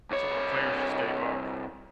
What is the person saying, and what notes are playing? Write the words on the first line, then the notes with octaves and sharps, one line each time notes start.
some of the players just gave up.
C2 C#5